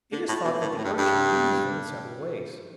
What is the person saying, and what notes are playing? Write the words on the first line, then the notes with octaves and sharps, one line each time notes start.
It is thought that the Urchin uses them in several ways.
D3
A2
B2
A2
A2
G2
G2